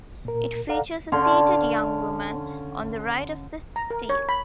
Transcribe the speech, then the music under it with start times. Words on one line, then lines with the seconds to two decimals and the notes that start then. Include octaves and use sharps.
It features a seated young woman on the right of the stele.
0.25 A#2 A#4
0.69 A4 D5 F5 F#5 A#5
1.12 D3 C#4 F5 C6
3.76 A#5
3.91 A#4
4.09 C#5
4.29 B5